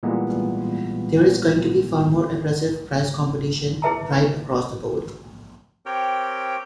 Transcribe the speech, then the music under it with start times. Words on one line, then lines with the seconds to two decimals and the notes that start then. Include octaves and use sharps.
There is going to be far more aggressive price competition right across the board.
0.03 A#2 E3 G3 G#3 A#3 B3
3.82 E4 G#4 B4 E5 A5 A#5
5.86 C4 G4 A#4 C#5 G5